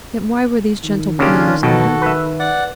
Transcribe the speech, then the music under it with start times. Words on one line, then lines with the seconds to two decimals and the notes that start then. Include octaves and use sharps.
Yet why were these gentle beings unhappy?
0.84 D#3
1.19 C#3 A#3 C#4 D4 F4 G4
1.63 B1 B2 F#4 A4 G5
2.02 B4 E5
2.40 D5 F#5